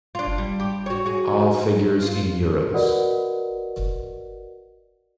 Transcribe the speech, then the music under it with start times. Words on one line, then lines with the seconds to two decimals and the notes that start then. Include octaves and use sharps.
All figures in Euros.
0.15 D4 F4
0.38 G3
0.60 G4
0.86 F#4 C#5
1.06 F#4 G#4
2.02 F4
2.74 F#4 A#4 B4 D5 D#5 F#5